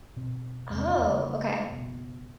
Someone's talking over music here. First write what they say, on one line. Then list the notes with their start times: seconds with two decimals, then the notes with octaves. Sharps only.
Oh, okay.
0.16 B2 C4
0.70 E2 C3 C4
0.94 A1 E2
1.08 C#3 A3 A#3 C#4
1.70 F#1 B2